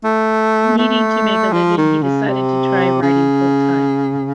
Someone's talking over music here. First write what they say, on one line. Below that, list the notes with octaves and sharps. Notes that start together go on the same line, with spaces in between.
Needing to make a living, he decided to try writing full-time.
A3
A3
F3
D#3
C#3
C3
C#3